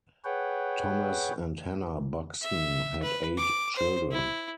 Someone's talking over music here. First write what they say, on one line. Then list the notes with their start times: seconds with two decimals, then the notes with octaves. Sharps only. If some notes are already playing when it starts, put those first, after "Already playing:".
Thomas and Hannah Buxton had eight children.
0.25 G#4 B4 C#5 F#5 G5
2.42 E5
3.02 B4
3.38 D6
3.76 C5
4.11 E4